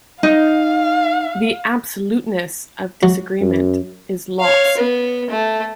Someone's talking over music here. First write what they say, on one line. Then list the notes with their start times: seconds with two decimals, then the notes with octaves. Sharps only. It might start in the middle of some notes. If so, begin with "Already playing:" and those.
The absoluteness of disagreement is lost.
0.23 D#4 F5
3.03 F#3
3.41 F#2
4.40 C#5 F5
4.77 B3
5.30 A3